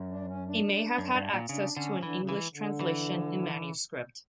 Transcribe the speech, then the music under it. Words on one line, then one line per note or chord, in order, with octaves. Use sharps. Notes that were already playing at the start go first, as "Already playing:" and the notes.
He may have had access to an English translation in manuscript.
Already playing: F#2
D4
C#4
D4
F#2
G2
A#2
C#3 D4
D3 C#4
D3 E3
C#3
E3
D3
E3